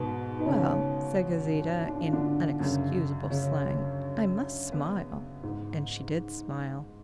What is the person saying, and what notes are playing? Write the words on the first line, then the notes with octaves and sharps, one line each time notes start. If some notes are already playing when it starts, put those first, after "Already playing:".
"Well," said Gauzita, in unexcusable slang, "I must smile." And she did smile.
Already playing: G#2 B2 B3
B3
C#3 C#4
D4
F4
D3 D4
F#2 C#3
C#3 C#4
B3 B4
G#2